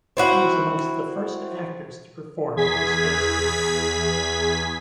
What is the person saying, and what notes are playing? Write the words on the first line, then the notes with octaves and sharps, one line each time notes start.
He was amongst the first actors to perform at the Space Theatre.
C4 E4 F#4
E2 G#4 G#6 B6